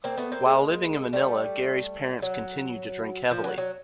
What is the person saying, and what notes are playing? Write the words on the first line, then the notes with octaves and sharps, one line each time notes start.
While living in Manila, Gary's parents continued to drink heavily.
A#3 C4
A3 B3
A#3 C4
G#3 A#3
G3 A3
F#3
F3
F#3
F#3